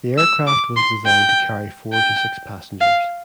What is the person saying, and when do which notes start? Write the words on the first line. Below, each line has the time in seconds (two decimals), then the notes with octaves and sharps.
The aircraft was designed to carry four to six passengers.
0.18 E6
0.47 D6
0.77 C6
1.06 G5
1.93 G5
2.81 F5